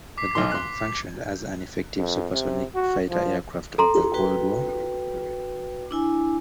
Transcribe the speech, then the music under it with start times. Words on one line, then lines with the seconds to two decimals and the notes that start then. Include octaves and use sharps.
The Draken functioned as an effective supersonic fighter aircraft of the Cold War period.
0.18 D6 B6 C7
0.35 B1 D#4 C6
0.51 C6 F#6
1.98 F2
2.33 C3
2.75 F#4
3.09 F3
3.78 A4 A#5 C6
4.14 F#4 B4 G5
5.91 D4 E4 G#5